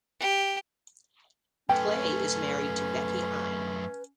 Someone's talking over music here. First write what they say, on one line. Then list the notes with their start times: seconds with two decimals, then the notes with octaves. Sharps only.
Clay is married to Becki Hine.
0.20 G4
1.69 F#2 A3 C#4 B4 G5